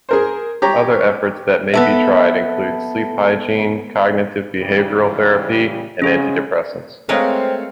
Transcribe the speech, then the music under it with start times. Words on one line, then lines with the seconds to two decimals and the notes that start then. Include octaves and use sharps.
Other efforts that may be tried include sleep hygiene, cognitive behavioral therapy, and antidepressants.
0.09 G#4 A#4 C5
0.62 G4 C#5 A#5
1.74 B3 A4 E5
4.60 C#3 E3 G3
6.02 C#3 G#3 C#4 G#4
7.09 G#3 A3 C4 A#4 B4 C#5 F5